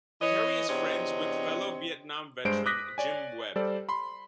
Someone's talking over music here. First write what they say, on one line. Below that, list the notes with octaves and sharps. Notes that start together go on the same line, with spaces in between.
Kerrey is friends with fellow Vietnam veteran Jim Webb.
E3 C#5 D#5
E2 C3 C4 D4 C#5 D#5
G2 G#3 C5 D7
D6 D#6 F#6 A#6 B6
C#5 D5 G#5
G3 A4 C5 D5
B5 C6